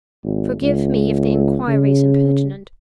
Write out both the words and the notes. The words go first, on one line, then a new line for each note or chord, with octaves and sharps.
Forgive me if the inquiry is impertinent.
G#1
C#2
C#3